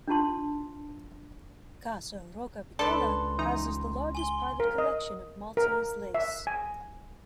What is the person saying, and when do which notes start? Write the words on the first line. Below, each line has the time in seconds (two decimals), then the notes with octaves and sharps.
Casa Rocca Piccola houses the largest private collection of Maltese lace.
0.08 D4 D#4 F4 A5 C6
2.79 C#2 D4 A4 B4 A5 C6
3.39 E3 D#4 A#5
4.15 G#5 C6 G7
4.60 A#4
4.78 D#5
5.57 A#4
6.14 E5
6.47 G#5